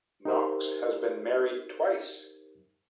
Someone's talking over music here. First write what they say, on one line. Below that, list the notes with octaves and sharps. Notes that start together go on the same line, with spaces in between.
Knox has been married twice.
D#4 G4 A#4 C5 E5